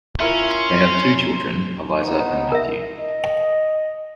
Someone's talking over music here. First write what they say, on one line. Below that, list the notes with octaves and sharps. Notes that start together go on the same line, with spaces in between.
They have two children, Eliza and Matthew.
C#4 E4 F4 A#4 C6
B3 D#4
A#4 E5
D#5